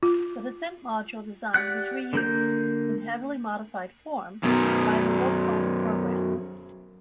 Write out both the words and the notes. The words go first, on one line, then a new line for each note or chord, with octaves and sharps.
The descent module design was reused, in heavily modified form, by the Voskhod program.
F4
G4 D5 F#5 F#6
D3 A#3 G6
F#2 B2